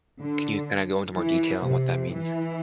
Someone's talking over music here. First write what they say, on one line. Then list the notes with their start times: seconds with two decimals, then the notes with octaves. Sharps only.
Can you kinda go into more detail on what that means?
0.20 D3
1.16 E3
1.64 C3
2.12 E3